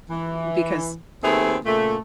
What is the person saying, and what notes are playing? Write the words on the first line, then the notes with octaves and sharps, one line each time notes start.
Mm, because,
E3
D#2 A3 B3 C4 G#4
A#2 C#3 A3